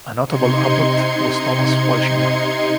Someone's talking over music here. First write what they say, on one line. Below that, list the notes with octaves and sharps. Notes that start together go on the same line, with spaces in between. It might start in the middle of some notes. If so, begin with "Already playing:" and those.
A notable abbot was Thomas Walsingham.
C3 D#4 C6 G#6 C#7